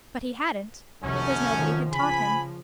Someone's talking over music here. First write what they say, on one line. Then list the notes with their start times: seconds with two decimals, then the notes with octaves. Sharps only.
But he hadn't, because nobody had taught him.
1.03 F1 C2 F#2 D#3 A3 C#4
1.52 D#3 F3
1.92 C#3 F3 G#5 B5